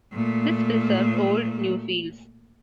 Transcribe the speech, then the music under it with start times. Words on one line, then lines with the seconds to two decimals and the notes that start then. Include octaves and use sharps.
This preserved old Newfields.
0.13 A#2 A3